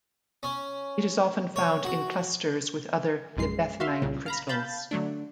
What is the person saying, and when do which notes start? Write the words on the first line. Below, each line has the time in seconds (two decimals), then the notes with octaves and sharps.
It is often found in clusters with other libethenite crystals.
0.43 C#4
1.56 C#5
1.85 F#4
3.37 A#1 F#2 G#3 C7
3.80 F#4 E5 F5 C6
4.02 C2 A#2 C#3
4.26 F5 A#5 B5
4.49 F5 A5 B5 G6 A6
4.91 D3 F#3 A3 D4